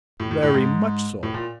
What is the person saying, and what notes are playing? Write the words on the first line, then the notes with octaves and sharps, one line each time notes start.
"Very much so."
A2
A2
A2
G#2
A2
A#2